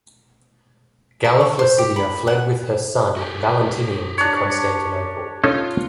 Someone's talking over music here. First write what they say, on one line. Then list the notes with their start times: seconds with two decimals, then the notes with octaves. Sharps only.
Galla Placidia fled with her son Valentinian to Constantinople.
1.24 A5
1.41 C#6
1.59 C5
1.78 G4
1.96 B5
2.27 F#5
3.17 F#4 G4 A4
4.18 D4 C#5
5.44 C#4 D#4 F4 A4